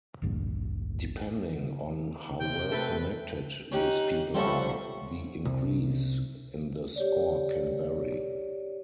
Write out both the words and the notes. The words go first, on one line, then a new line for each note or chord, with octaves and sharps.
Depending on how well-connected these people are, the increase in the score can vary.
A1 D2 G2 A#2
C3 G5
A3 A4 B4
C#4 D#4 G4 F#6
F3 G3 A3 C4 C#4 A4 F#5 C#6
C2
G4 C#5 D5